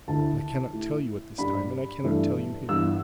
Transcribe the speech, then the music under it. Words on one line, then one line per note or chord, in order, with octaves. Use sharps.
But I cannot tell you at this time, and I cannot tell you here.
D2 D3 A3 E4 A5
A2 A3 E4
G2 G3 D4 B5
G2 E3 A3 D4
G2 E3 B3 E6